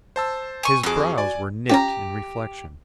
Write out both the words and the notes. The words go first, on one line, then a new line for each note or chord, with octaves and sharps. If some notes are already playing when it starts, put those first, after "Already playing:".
His brows were knit in reflection.
C5 A5 E6
G#5 C#6
F2 F#4 G#4 D6
D5 G#5
C#4 F4 G4 A#5